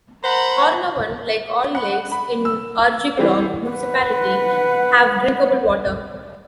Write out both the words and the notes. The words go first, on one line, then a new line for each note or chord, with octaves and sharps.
Hornavan, like all lakes in Arjeplog Municipality, have drinkable water.
A#4 C5 F#5 A#5 B5
F#5 B5
B5
E6
E3 G3 C4
B4 F#5